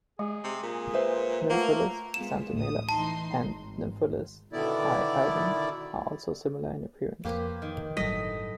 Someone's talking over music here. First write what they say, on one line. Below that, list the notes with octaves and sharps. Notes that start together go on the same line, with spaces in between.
"Nymphalis xanthomelas" and "Nymphalis l-album" are also similar in appearance.
G#3 G#4
C3
A#2
B4 C5 E5
A3 A#3 F4 F#5
G#3 B3 F4 E7
A1 D2 D#6
E3 D#4 A5 C6
G#1
B2 D3 D#3 B3 E4 D5
F2 A#3 G4 B4 C5
D#3
G1 A2 F#3 G3 D#5 B6